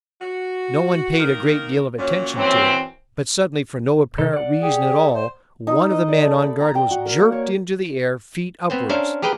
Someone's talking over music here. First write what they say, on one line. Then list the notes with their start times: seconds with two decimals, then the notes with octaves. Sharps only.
No one paid a great deal of attention to it, but suddenly for no apparent reason at all one of the men on guard was jerked into the air feet upwards.
0.22 F#4
1.19 D#3 A#3 A#4
1.99 A#2 F#3 C#4
2.36 F#2 E3 C4
4.18 C3 D#4 A4
4.33 D5 F#5
4.62 G4 G#4
5.15 C5
5.67 D#4
5.90 D#5
6.08 D5
6.23 A3
6.42 B5
6.61 A#5
6.75 G5
6.91 F#4
7.05 A#4
7.19 A#3
7.32 C#5
8.70 B3 C4 C5
8.89 C#4 D4 A#4 C5 E5 F5
9.22 G4 G#4 A#4 B4 G5